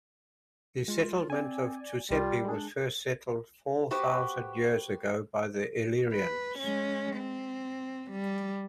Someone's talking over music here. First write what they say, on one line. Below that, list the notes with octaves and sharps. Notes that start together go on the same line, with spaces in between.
The settlement of Tucepi was first settled four thousand years ago by the Illyrians.
G#3 F4
C4 D5 G#5
C2 G3 F4
G#3 D4 G#4
B3 F#4 G4 B4 C5
B4
G#3 C#4
C4
G3